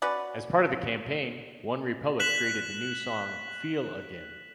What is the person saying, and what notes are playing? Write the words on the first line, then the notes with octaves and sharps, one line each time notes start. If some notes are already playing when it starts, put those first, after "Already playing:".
As part of the campaign, OneRepublic created the new song "Feel Again".
C#4 F#4 B4 D5
F#6 B6 E7 F#7